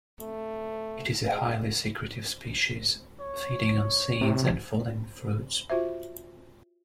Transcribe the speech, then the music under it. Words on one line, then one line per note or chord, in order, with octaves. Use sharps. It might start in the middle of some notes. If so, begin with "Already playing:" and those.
It is a highly secretive species, feeding on seeds and fallen fruits.
A3
G#3
C#5
C3
F4 F#4 C5 E5